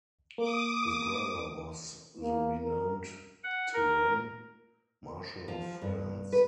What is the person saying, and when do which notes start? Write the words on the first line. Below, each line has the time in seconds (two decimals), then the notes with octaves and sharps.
His brother was the renowned Turenne, Marshal of France.
0.38 A#3 D6 D#6
2.22 A#3
2.60 A#4
3.44 F#5
3.73 A#4
5.48 F3
5.82 G2
6.32 B4